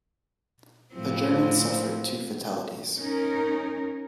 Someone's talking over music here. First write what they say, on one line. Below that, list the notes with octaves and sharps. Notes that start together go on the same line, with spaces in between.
The Germans suffered two fatalities.
A2 F3 C4
C#4 D#4 A#4